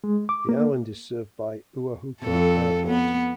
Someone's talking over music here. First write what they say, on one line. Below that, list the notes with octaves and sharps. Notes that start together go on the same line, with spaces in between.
The island is served by Ua Huka Airport.
G#3
D6
A#3
F2 A4
B3